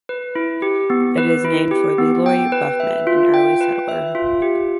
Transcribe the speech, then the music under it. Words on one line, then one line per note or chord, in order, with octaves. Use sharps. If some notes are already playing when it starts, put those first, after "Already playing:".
It is named for Leroy Buffman, an early settler.
B4
E4
G4
B3
B4
E4
G4
B3
G5
B4
E5
F4
G5
B4
E5
F4
G4